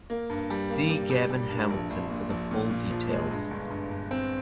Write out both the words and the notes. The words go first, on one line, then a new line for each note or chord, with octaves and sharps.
See Gavin Hamilton for the full details.
A#3
G2
G3
A#3
G3
G3
G3
G2
A#1
A#1
A#2
A#1
A#2
A#2
F3
G#3
G2
G1
G2
G2
C4